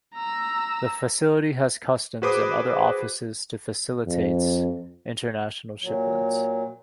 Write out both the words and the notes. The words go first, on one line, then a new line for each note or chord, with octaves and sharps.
The facility has customs and other offices to facilitates international shipments.
A#5 E6
F#4 G#4 B4 C5 D6 D#6
F2
A#2 F#3